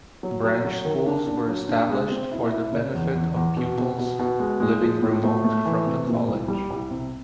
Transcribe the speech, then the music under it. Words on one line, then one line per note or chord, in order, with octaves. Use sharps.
Branch schools were established for the benefit of pupils living remote from the college.
F#3
F#3
F#3
D#3
D4
D4
F#3
D4
G#3
C4
E4
E4
C#3
E2
E2
E2
B2
B2
B2
B2
G#3
G#3
F3
A2
A3
A3
E3
C3
A#2
C2
G3
C2
C3